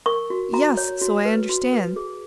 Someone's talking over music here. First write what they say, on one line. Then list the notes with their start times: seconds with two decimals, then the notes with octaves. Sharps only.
"Yes, so I understand."
0.06 A#4 C#6
0.30 F#4
0.53 F#4 A#5
0.77 C#5
1.02 F#4
1.25 B4
1.49 F#4
1.73 B4
1.96 G#4